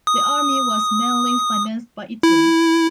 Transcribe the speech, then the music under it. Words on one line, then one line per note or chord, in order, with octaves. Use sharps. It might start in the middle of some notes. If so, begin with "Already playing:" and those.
The army was mainly financed by Italy.
D#6
E4